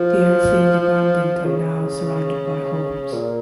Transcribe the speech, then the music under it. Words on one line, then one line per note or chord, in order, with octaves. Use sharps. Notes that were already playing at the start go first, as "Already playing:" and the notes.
The airfield abandoned and now surrounded by homes.
Already playing: F3
C#3
A#2